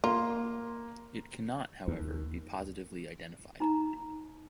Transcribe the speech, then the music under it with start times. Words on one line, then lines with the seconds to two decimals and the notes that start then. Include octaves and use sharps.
It can not, however, be positively identified.
0.04 A#3 F4
1.88 D#2
3.60 D#4 A#5